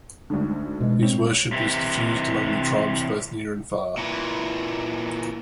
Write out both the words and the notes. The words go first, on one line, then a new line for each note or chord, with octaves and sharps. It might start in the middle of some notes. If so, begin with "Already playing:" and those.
His worship is diffused among the tribes both near and far.
D2 G#2 D3
B2 G#3
C4 C#5 F7
C3 E3 G4
A#2 D#3 E3